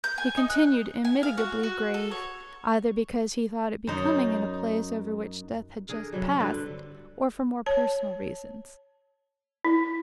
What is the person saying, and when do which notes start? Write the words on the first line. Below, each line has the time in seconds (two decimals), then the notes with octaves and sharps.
He continued immitigably grave, either because he thought it becoming in a place over which death had just passed, or for more personal reasons.
0.04 G6
0.18 G#5
0.37 D#4
0.50 F#6
1.05 G#5
1.23 F5
1.38 F#4
1.63 F#4
1.94 A4
2.11 C#5
3.87 F#2 D#4
5.89 D3 G#4 A#4
6.12 C3 F#3 G3
6.40 G2 D3 C4 B4
7.66 C#5 A5
9.65 E4